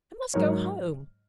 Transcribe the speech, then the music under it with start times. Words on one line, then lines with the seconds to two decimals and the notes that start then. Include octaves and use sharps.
I must go home.'
0.34 G#2 F#3 D#4 A#4 C#5